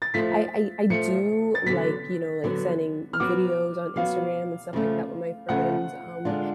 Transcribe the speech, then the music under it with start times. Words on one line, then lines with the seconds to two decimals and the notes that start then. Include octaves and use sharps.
I I I do, like, you know, like sending videos on Instagram and stuff like that with my friends, um,
0.02 A6
0.14 F3 A3 F4 B6
0.90 F3 A3 F4 C#7
1.55 A6
1.66 D3 F#3 B3 B6
2.44 D3 F#3 B3
3.13 F6
3.20 F#3 B3 F#4 D6
3.96 F#3 B3 F#4 F5
4.73 C#3 F3 A3 F4
5.49 C#3 F3 A3 F4 F#5
6.25 D3 G#3 D4 F4